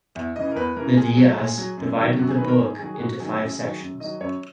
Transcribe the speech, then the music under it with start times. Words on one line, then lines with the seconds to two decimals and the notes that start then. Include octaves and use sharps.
The Dais divided the book into five sections.
0.15 E2 E5
0.36 C#3 E3 D#5
0.52 A#4
0.56 E2 B4
0.76 C#3 E3 A#4
0.97 A#2 G#4
1.17 F#3
1.37 A#2 G#4
1.58 F#3
1.78 F#2
1.98 D#3 F#3
2.18 F#2 F#4
2.28 G#4
2.38 D#3 F#3 B4
2.48 A#4
2.58 G#2 G#4
2.79 D#3 F#3 G#4
2.94 G#4
2.99 G#2 F#4
3.20 D#3 F#3 G#4
3.40 F#2 G#4
3.60 D#3 F#3 G#4
3.80 F#2
4.00 D#3 F#3 D#5
4.21 F#2 C#5